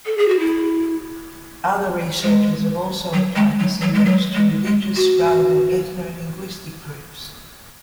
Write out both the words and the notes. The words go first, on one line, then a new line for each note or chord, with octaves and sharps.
Other researchers have also applied this index to religious rather than ethno-linguistic groups.
A4
G#4
F#4
E4
G#3
F#3
G#3
F#3
F#3
G#3
F#3
G#3
G#3
F#4